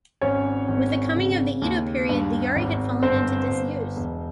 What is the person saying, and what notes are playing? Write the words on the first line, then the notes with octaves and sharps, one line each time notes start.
With the coming of the Edo period the yari had fallen into disuse.
G#1 C#4 C#5
G#1
C#3
D#2
G2
G#1
G1 C4 C5
G1
E1